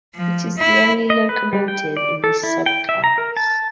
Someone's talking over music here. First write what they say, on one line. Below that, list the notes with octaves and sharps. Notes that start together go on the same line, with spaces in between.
It is the only locomotive in this sub-class.
F3
E4
D#5
B4
G3
G5
D5
A4
E4
G5
E5
A#5
A#4
A5